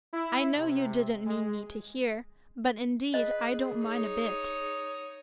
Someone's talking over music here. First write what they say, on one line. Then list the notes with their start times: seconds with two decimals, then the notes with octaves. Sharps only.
I know you didn't mean me to hear, but indeed I don't mind a bit.
0.13 E4
0.56 C3
1.25 G#3
3.14 G#4 B4 D#5
3.82 D#4 C#5 D#6